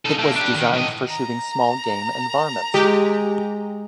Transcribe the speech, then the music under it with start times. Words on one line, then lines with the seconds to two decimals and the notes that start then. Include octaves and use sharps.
It was designed for shooting small game and varmints.
0.06 D#4 A4
0.19 A3 A#3
0.36 D4 G4
0.56 D#3
0.74 A2 D#5
1.09 A#5
2.74 G#3 G4